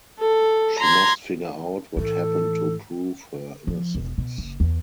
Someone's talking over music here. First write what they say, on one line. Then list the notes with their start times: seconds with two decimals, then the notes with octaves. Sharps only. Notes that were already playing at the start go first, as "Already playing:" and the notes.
She must figure out what happened to prove her innocence.
0.19 A4
0.80 A#5 C6 G#6
1.97 A2 E3 A4
3.67 F3
3.95 E1
4.18 B2
4.38 F#1
4.60 E2